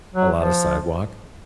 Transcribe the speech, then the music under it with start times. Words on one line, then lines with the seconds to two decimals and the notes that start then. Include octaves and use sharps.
a lot of sidewalk.
0.15 F#3
0.35 F3